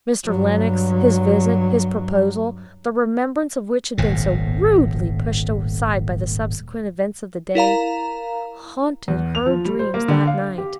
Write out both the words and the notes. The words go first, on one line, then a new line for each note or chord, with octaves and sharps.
Mr. Lennox--his visit, his proposal--the remembrance of which had been so rudely pushed aside by the subsequent events of the day--haunted her dreams that night.
G2 F#3
D#1 G#1 A2
E4 A#4 F5 A#5
E2
F7
F3
G3
C5
A#3
D3
F5
G4